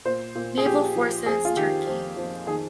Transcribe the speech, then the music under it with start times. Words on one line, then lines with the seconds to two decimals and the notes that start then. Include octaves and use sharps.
Naval Forces, Turkey.
0.05 A#2 C5
0.35 A#2
0.58 G#4
0.66 F3 G4
0.96 F3
1.26 F2 G#4
1.45 F4
1.56 D#3 G4
1.87 F2
2.17 F2
2.47 D#3 G#4